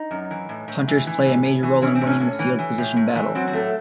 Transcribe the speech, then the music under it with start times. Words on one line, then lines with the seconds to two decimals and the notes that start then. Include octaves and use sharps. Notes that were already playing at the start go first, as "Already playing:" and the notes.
Punters play a major role in winning the field position battle.
Already playing: D#4
0.11 F#2
0.31 E3
0.49 A2
0.68 A2
0.88 E3
1.07 E3
1.26 A2
1.45 A2
1.63 E3
1.82 E3 C#4
1.95 C4
2.01 A2
2.07 C#4
2.20 A2
2.39 E3
2.59 E3
2.78 A2
2.96 A2
3.15 E3
3.35 F#3 C4
3.47 C4
3.53 A2 A3